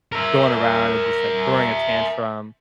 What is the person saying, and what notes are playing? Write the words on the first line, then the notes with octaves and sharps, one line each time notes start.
going around and just, like, throwing a tantrum,
A#4 E5